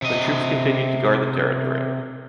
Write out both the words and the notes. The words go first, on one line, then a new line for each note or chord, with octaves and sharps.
The troops continued to guard the territory.
C3 D#5